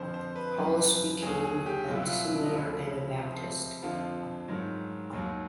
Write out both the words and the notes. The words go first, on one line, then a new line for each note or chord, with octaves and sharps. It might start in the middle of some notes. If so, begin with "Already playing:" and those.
Hollis became an dissenter and Baptist.
Already playing: F2 D3 F3 C5
C5
B4
F#2 C#3 F3 B4
D#2 D#3 F#3 G#4
G#4
G4
C2 B2 F#3 F4
E4
F4
C#4
D4
D#4
D2 C#3 F3 E4
C#2 C3 F3
F2 D3 F3 F4
G#2 D#3 F#3
D#2 D#3 F#3